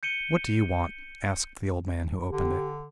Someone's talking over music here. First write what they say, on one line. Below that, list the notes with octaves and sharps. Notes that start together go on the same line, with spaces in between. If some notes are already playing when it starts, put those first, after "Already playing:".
'What do you want?' asked the old man who opened it.
G6 C#7 D#7 G7
D3 G4